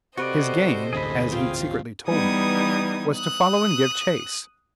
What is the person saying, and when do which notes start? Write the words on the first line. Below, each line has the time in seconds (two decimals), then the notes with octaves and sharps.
His game--as he'd secretly told me--was to follow and give chase.
0.17 C3 F#4 A4 B4 C5 D5 D#5
0.93 D1 G1 D2 G#4 B5
1.31 C4 F4 F5 G5
2.06 E3 G3 B3 D#4 D#6 G#6
3.15 D#6 F#6